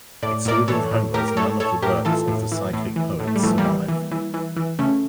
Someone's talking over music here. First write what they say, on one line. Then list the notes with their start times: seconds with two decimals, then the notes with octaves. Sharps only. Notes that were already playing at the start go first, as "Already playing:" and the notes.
Excluding Homer's, none of the works of the cyclic poets survive.
0.23 A2 D5
0.45 A2 A#4 D5
0.68 E3 A4 C#5
0.91 A2
1.14 A2 G4 A#4
1.28 A#4
1.37 A2 A4 C#5
1.60 A2 A4 C#5
1.82 A2 G4 A#4
2.05 E3 F4 A4
2.28 A2
2.52 E3
2.73 A2
2.96 E3
3.20 A2
3.27 A3
3.36 G3
3.43 E3 F3 A3
3.58 G3 A#3
3.65 E3
3.88 E3
4.11 E3
4.34 E3
4.56 E3
4.79 C#3 A3 C#4